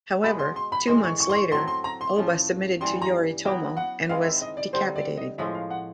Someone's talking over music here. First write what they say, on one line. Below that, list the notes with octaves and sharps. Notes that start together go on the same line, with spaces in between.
However, two months later, Oba submitted to Yoritomo and was decapitated.
B2 G#3 B3 B5
C6
C6
B5
A2 E3 G#3 C6
C#6
C#6
C6
C#6
F#3 A3 C4 C6
C6
A#5
C6
A2 F3 A3 C#4
G2 E3 G3 A#3 C6
A#5
F#3 B3 E4 G5
F#5
D#3 G#3 C4 E4 F5
E5
D#5
D5
D3 G3 C4 C5
D5
D#5
A2 F3 G#3 E5
F5
F#5